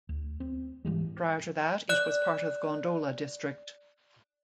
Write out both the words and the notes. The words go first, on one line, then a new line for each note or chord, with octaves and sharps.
Prior to that it was part of Gondola District.
D2
C4
G#2 E3 G3 G#3
D5 F#6